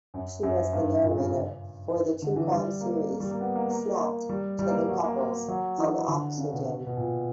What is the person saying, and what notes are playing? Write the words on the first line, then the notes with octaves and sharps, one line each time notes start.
She was the narrator for the true crime series "Snapped: Killer Couples" on Oxygen.
F#2
F#2
G2
A#2
C#3
D3
E3
G3
A#3
A#3
G3
A#3
B3
A#3
A#3
A#3
G3
G3
A#3
G3
F#3
A#3
A#3
F#3
E3
D3
C#3
B2
B2
A#2